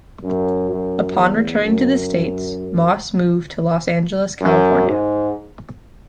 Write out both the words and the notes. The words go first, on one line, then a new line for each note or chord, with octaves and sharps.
Upon returning to the States, Moss moved to Los Angeles, California.
F#2
F#2
E2
F#2
F#2
G#2